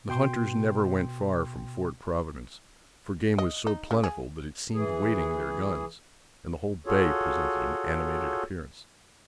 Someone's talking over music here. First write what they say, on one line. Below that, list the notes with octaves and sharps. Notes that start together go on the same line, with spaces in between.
The hunters never went far from Fort Providence, for game was so plentiful that it seemed waiting their guns, and the whole bay presented an animated appearance.
B2 G5 C6
D#5
D#4
C#3
G#4
E3 G#4
F4 F#4 G#4 A4 C#5